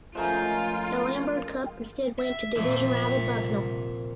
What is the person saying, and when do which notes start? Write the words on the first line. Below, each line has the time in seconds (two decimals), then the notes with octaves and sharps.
The Lambert Cup instead went to division rival Bucknell.
0.15 F3 G#3 A3 C#4 D#4 F4 A#4
2.19 E5
2.56 C2 F2 A#2 E5